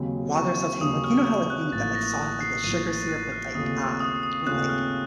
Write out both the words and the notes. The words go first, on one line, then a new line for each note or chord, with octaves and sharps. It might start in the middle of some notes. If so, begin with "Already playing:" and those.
while they're sauteing, like you know how, like, you make that, like sauce, like, the sugar syrup with, like, um, with, like,
Already playing: D#2 C#3 F#3 C4
C#6
D#2 C#3 F#3 C4 D#6
F6
F6
F#6
A1 A2 F3 A#3 A6
A#6
A6
C7
A1 A2 F3 A#3 D#7
A6
F#6
F6
D#2 C#3 A3 C4 F4 D#6
C#6
D#6
D#6
D#2 C#3 A3 C4 F4 F#6
F6